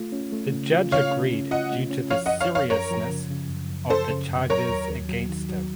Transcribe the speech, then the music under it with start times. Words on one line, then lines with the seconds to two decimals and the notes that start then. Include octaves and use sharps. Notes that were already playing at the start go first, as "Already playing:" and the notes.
The judge agreed due to the seriousness of the charges against him.
Already playing: A3 F4
0.12 C#4
0.32 A3
0.52 C#3
0.72 F4
0.92 C#3 C#5 F5
1.11 C#4
1.32 C#4
1.51 F4 D#5 F#5
1.71 A3
1.91 C#4
2.10 F3 C#5 F5
2.26 D#5 F#5
2.31 F#2
2.41 C#5 F5
2.51 F3 C#5 F5
2.70 F#2 A#4 C#5
2.91 F3
3.10 C#3
3.30 C#3
3.50 F#2
3.70 F#2
3.90 F#2 A4 C5
4.10 C#3
4.30 F#2
4.50 F#3 A#4 C#5
4.69 D#2
4.89 D#2
5.09 F#3
5.29 D#3
5.49 F#3